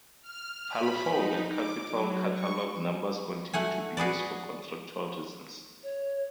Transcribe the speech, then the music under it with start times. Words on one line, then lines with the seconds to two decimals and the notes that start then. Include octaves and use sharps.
Parlophone and Capitol catalogue numbers continued to be used for contractual reasons.
0.22 F6
0.69 B5
1.09 D#4
1.50 D6
1.91 F#3
2.33 C#6
3.53 A3 F#5 G#5
3.97 F#4 G#4 B4 D5
5.83 C#5